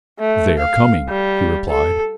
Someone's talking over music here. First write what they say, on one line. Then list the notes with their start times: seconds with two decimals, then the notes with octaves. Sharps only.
"They are coming," he replied.
0.19 A3
0.59 F5
1.09 G3
1.69 A4